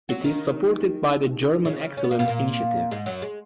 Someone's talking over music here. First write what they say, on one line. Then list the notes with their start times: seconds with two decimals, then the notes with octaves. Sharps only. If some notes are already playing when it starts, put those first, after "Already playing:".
It is supported by the German Excellence Initiative.
0.09 F#3 F#4
0.24 D#3 D#4
1.65 C#3 C#4
1.97 C#4
2.04 B3
2.11 A#3
2.19 B2 B3
2.28 A#2 A#3
2.91 G#2 G#3
3.06 F#2 F#3
3.22 G#3